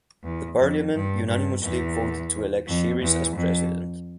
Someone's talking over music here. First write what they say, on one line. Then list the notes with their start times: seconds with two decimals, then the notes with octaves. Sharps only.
The Parliament unanimously voted to elect Sheares as president.
0.24 E2
0.59 F2
0.94 G2
1.28 G2
1.63 E2
2.67 F2
3.02 E2
3.36 F2